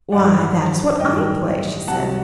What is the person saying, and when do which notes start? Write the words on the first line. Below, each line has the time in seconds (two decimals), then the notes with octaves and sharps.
'Why, that is what I play!' she said.
0.12 A1 G2 D#3 F#3 D5 F#5
1.00 A1 G2 D#3 F#3 D#5 G5
1.88 C2 C3 F#3 F#5 A5